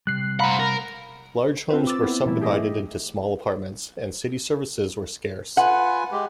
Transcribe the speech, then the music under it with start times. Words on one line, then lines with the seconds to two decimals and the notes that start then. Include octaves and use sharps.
Large homes were subdivided into small apartments and city services were scarce.
0.07 C3 G3 F#6 C7
0.40 C5 F5 F#5 A#5 B5
0.60 A#4
1.69 C4 F4 B4 C5
1.87 D6 E6 A6
2.01 B3 C4 E4
2.26 A#2 E3 F#3 G3 A3 E4
2.40 A3 G4 G#4 D#5 E5
5.57 F4 B4 F#5 G#5
6.12 G#3 G4